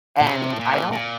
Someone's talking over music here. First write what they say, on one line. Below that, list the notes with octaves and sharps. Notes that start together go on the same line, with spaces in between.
and I don't
A#2
C3
A2
A#2
A#2